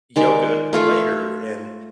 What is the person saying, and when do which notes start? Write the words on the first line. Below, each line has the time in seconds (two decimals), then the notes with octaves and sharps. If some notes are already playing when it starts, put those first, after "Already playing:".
yoga later and
0.16 D#3 G#3 D5
0.73 A3 F4 A4 E5